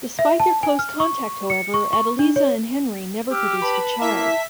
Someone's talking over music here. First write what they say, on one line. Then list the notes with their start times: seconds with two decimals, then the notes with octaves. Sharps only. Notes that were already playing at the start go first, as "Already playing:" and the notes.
Despite their close contact, however, Adeliza and Henry never produced a child.
0.19 E5
0.40 A5
0.63 G#5
0.79 F6
1.00 C#6
1.50 C#7
1.74 C#6
1.93 C#6
2.19 D4
2.36 C#5
3.31 G4 E6 F6
3.62 B4 A5 B5
4.02 A#3 E4 E5 B6